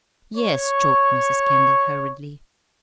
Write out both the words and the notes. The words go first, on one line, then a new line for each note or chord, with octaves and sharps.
"Yes," choked Mrs. Kendall, hurriedly.
C#5 C#6